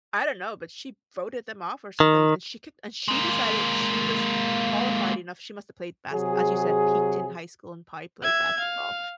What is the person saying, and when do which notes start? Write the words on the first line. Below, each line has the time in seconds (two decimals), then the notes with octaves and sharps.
I don't know, but she voted them off or something, and she kicked and she decided she was qualified enough. She must've played baske as you said, peaked in high school and probably played basketball,
2.00 D#3
3.08 G#3 A#3
6.13 C3 F#3 G#4
8.23 E5 G#6
8.59 F5